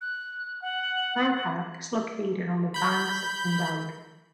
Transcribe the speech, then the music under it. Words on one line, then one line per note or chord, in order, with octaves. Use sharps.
Roha is located on the banks of Kundalika.
F#6
F#5
B5 G6